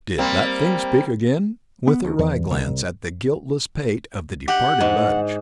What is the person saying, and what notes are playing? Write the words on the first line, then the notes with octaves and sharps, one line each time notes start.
"Did that thing speak again?" with a wry glance at the guiltless pate of the departed Budge.
G3 A#3 C4
B3
D2
E2
C2
G4 F#5
G#2